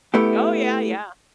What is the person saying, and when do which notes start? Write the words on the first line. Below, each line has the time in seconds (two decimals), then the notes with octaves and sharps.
Oh, yeah, yeah.
0.14 A3 B3 E4 G4